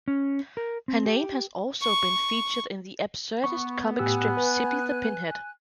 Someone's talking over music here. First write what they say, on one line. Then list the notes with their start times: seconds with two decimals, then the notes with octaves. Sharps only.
Her name has also been featured in the absurdist comic strip "Zippy the Pinhead".
0.08 C#4
0.57 A#4
0.88 C4
1.06 G4
1.81 C#6
3.44 B3 C#6
3.99 A2 G4 G#5 E6 F#6
4.37 B4